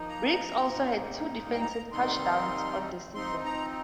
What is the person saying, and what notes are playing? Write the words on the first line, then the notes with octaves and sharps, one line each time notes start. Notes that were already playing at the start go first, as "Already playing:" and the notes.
Briggs also had two defensive touchdowns on the season.
Already playing: F3 A#3 D#4
A#5
A#2 G3 A#3 D#4
G5
A#5
C3 D#3 G3 C4 D#4 C6
F3 C4 D#4 C6
A#5